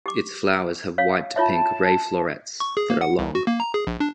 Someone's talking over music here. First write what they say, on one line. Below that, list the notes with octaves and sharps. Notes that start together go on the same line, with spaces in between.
Its flowers have white to pink ray florets that are long.
G4 D6
C#5 F5
F4 C#5 E5 A5
C#6
G#4
A#3
F#5
C2
F#4
A#3
A#5
G#4
A#1
D4